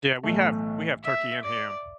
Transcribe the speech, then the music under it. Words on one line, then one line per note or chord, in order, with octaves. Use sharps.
Yeah. We have we have turkey and ham.
B1 A2 E3 A3
E5
D5